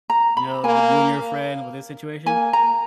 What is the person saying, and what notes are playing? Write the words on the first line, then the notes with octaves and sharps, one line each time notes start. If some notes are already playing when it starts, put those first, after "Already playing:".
You know, with you and your friend, with this situation,
A#5
B5
A#3 G#5
A#3 G#5
A#5